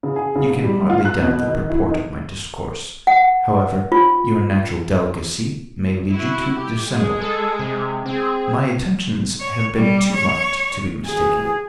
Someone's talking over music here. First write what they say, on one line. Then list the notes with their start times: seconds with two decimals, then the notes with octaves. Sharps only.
You can hardly doubt the purport of my discourse, however your natural delicacy may lead you to dissemble; my attentions have been too marked to be mistaken.
0.03 C#3
0.16 G#4
0.36 C#3
0.50 G#2
0.64 G3
0.90 F4
1.05 F#6
1.22 B2
1.48 D#3
1.70 E4
1.89 D#4
3.07 F#5
3.92 F4
6.09 E4 F#4
6.54 G4
6.87 G#3 G#4
7.22 A4
7.59 C3
8.06 C4 G#4
9.40 C#5
9.75 G3
10.14 C#5
11.07 G#4